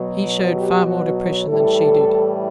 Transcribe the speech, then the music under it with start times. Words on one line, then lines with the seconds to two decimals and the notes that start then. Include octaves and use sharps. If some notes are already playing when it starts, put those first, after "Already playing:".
He showed far more depression than she did.
Already playing: B2 F#3
0.55 G4
0.86 F#4
1.47 A2 E3 G3 A4